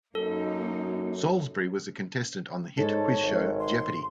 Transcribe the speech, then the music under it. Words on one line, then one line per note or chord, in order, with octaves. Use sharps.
Salisbury was a contestant on the hit quiz show Jeopardy!
F#2 A#3 D#4 F#4 A4
G#2 A4 C#5
G#1
C6